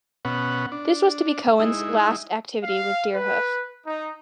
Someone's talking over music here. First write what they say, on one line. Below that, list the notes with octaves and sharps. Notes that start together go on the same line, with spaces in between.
This was to be Cohen's last activity with Deerhoof.
B2 B3 C#4 F#5
D4
G#3 D#4 E4
F5
B4
D#4